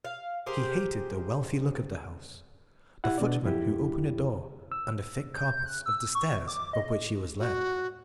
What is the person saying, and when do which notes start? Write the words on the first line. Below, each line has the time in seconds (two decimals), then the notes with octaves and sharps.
He hated the wealthy look of the house, the footman who opened the door, and the thick carpets of the stairs up which he was led.
0.05 F5
0.46 G4 G#4 A#4 C5
3.04 E4 G4 F#5
3.18 B2 D4 D5
3.45 F2 E4 G4
4.72 E6
5.34 G6
5.65 F#6
5.86 E6
6.15 C#6
6.48 D6
6.73 D#5
7.40 F#4